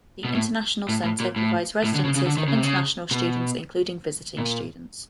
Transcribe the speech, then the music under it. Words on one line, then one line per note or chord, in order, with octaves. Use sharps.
The International Centre provides residences for international students, including visiting students.
B2
A2
A2
A2
A#2
A2
A2
D3
C#3
C#3
D3
D#3
C#3
C3
C#3
B2
A#2